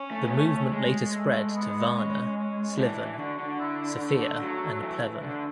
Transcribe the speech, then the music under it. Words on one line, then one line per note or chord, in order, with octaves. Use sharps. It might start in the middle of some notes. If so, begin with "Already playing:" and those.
The movement later spread to Varna, Sliven, Sofia, and Pleven.
Already playing: C#4
A3
B3
A3
G#3
A3
B3
C#4
C#4
E3 D4
E3
D3 F#4
D3
E4
A3
F#3
E3
D3 A3